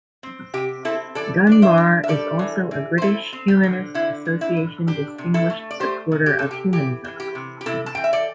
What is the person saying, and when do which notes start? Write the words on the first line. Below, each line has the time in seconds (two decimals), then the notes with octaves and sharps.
Dunbar is also a British Humanist Association Distinguished Supporter of Humanism.
0.23 C4
0.54 C3 G4
0.85 C4 E4 A4
1.15 E3 A4 D5
1.47 D4 D5
1.62 C5 E5
1.78 D4
2.03 E5
2.08 G3 A4 D5
2.39 E3
2.71 E3
2.98 C5
3.02 C4 E4 A4
3.33 C4
3.48 G4
3.63 D3
3.94 D3 E4
4.25 D3
4.41 E4
4.56 D3
4.87 D4 G4
5.18 C3
5.34 E4 A4
5.50 A3
5.71 D5
5.80 A3 G4 C5
6.12 C3
6.26 G4
6.39 C3 A4
6.51 G4
6.73 E3 G4
7.04 E3
7.20 G4
7.35 C3
7.61 G4
7.66 C3 E4 A4
7.86 A5
7.95 E3 G5
8.04 E5
8.13 A4 D5